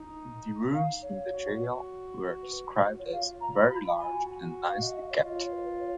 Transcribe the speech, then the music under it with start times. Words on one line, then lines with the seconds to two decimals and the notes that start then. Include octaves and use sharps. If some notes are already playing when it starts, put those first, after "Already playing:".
The rooms in the jail were described as "very large and nicely kept".
Already playing: D#4
0.73 F5
1.02 C#5
1.30 F#4
2.43 B4
2.87 F#4
2.98 F4 C#5
3.12 F5
3.40 A#5
3.55 B5
3.69 B5
3.84 B5
3.97 F4 G#5
4.11 F#4
4.67 F5
4.81 D#5
4.95 D#5
5.10 C#5
5.23 F4 D#5
5.38 C#5
5.52 B4
5.66 B4
5.80 C#5